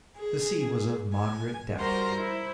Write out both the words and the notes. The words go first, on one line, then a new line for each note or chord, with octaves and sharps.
The sea was of moderate depth.
G#4
G#5
G3 F#4 A#4 C5 A#5 C6
E4 C5